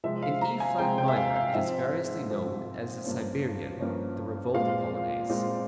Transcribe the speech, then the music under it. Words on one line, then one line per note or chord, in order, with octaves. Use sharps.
In E flat minor it is variously known as the Siberian, the Revolt Polonaise.
C3 F3 G#3 C4 E5
F5
A#5
G#5
C3 F3 G#3 C4 G5
G5
E5
F5
F5
G#2 F3 C4 E5
G#2 F3 C4
G2 F3 A#3 C#4
G2 F3 A#3 C#4
A#2 G#3 C4 F5
A#2 G#3 C4